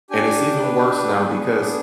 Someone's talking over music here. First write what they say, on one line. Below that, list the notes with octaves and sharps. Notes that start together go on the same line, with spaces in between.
And it's even worse now because
D4 G4 G#5
B4
B3 D4 G#4